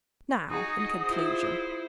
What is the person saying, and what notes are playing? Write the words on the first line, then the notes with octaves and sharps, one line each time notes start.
Now in conclusion.
D#4 F#4 G#4 D#6
E4 F4 C5